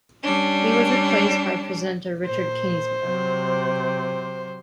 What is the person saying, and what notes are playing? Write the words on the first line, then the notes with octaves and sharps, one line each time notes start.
He was replaced by presenter Richard Kingsmill.
G3 C#4 D4
A#2 C5
C3 F#3